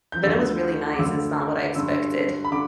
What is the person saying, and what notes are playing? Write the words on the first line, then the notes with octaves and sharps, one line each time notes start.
but it was really nice, it's not what I expected.
G6
D2 D3 E6
D6
D2 D3 E6
G2 D3 E6
B5
D3 D6